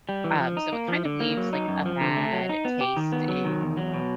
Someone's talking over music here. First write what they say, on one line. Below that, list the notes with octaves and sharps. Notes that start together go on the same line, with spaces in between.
Um, so, it kind of leaves, like, a bad taste in
G3
E3
F3
D#4
A#3
F3
D3
A#3
F#3
D#4
F#2
F3
D3
A3
F#3
D#4
B3
G4
D#3
B3
F#3
D#3
E2
F#3
B2